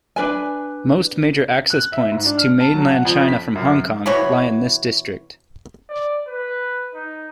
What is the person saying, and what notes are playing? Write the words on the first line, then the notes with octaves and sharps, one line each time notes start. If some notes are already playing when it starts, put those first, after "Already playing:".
Most major access points to Mainland China from Hong Kong lie in this district.
D4 B4 G#5
F#6
E5
G#2
D4
F6
A5
F#3
F#5
F2
B6
F#2
B2 E3 C#5 B5
D5
B4
D#4